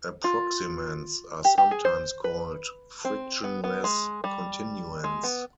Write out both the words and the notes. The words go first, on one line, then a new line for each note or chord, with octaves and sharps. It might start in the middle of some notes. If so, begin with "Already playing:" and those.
Approximants are sometimes called "frictionless continuants".
F4
G4
G4
G#4
C5
B4
C4
B3
B3
G#3
G3
G#3
B3